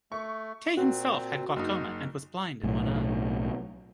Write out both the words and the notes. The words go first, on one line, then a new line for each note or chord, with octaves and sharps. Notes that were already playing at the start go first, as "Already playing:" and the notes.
Tay himself had glaucoma and was blind in one eye.
A3 C#6
A#2 C4 F#4
F#1 D#4 C6
B1 A2